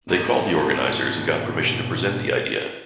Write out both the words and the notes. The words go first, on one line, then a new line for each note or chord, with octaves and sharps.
They called the organizers and got permission to present the idea.
G#2 B2